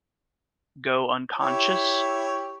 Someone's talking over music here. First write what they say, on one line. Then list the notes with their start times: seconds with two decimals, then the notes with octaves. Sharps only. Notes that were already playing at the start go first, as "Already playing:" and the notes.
go unconscious?
1.39 E4 G4 C#5